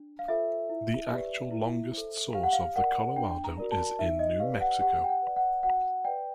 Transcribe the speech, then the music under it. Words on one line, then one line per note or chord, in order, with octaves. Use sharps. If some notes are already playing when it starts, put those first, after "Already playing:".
The actual longest source of the Colorado is in New Mexico.
Already playing: D4
F5
F4 A4 C5 E5
E4
G4 B4 D5
E4
A4 C5
G4 F5
F#5
F5
A#4 D5 F#5
D4 G5
A#5
F#4 A#4 D5
A5
D#4 E5
D#5
G4 B4 D5 F5
F#5
G4 F#5
G5
F#5
B4 D5
F#5
F#4 F#5
B4 D5 G5